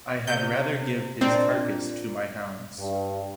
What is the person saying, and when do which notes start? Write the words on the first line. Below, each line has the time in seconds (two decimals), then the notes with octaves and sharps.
I had rather give his carcass to my hounds.
0.27 C3 G6
1.21 A#2 C4 D4
2.78 G2